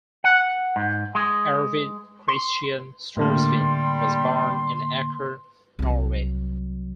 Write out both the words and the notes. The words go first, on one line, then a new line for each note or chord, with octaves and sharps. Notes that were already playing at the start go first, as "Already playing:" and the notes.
Arvid Kristian Storsveen was born in Aker, Norway.
F#5
G#2
G#3
C6
A2 D3 G3 A#3 C6
C2 F#3